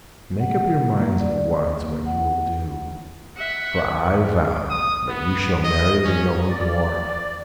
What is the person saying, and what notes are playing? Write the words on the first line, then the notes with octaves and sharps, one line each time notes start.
Make up your minds at once what you will do, for I vow that you shall marry the Yellow Dwarf.
F#5
A#3
D5
A#3
F#5
E5 F#5
D#6
B3
D#5
C#4
D5